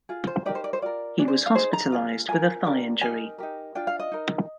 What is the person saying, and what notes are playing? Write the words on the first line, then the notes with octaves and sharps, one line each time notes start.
He was hospitalised with a thigh injury.
F4 G#4
C5
D#4 G4 A#4 D5
C5
D5
C5
F4 A#4 D5
D4 G#4 D5
C5
F5
D#4 G#4 C5
A#5
F4 G#4
F4 A#4 G#5
D4 G4 A#4
D#4 G4 A#4 G#5
D#4 G4 A#4
D4 F4 G5
F5
D#5
D#4 A#4